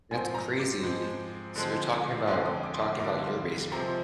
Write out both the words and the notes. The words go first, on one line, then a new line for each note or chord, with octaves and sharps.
That's crazy. So you're talking about you're talking about your basement?
G#2 F3 C4 G#5
A#5
D6
G#2 F3 G#3 C4 C6
D3 F3 G#3 C4
F2 D3 G#3 C4 C6
D#6
D6
C6
D6
D3 G3 A#3 D6
C6
C3 F3 G#3 C4 A#5